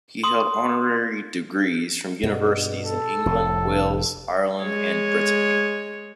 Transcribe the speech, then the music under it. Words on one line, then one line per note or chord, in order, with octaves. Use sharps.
He held honorary degrees from universities in England, Wales, Ireland and Brittany.
C6 D#6
G2 B2
A4
F1 A2 C3
G#3 C#5